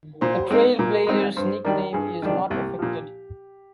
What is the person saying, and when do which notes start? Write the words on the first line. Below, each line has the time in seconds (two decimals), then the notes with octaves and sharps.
The Trailblazers nickname is not affected.
0.21 A#2 C5
0.51 G#3 C4 D#4
0.79 A#2 A#4
1.07 G#3 C4 D#4
1.36 G2 C5
1.64 D#3 G3 D4 A#4
1.93 G2 G#4
2.22 D#3 G3 D4
2.50 C2 G4
2.79 A#2 F3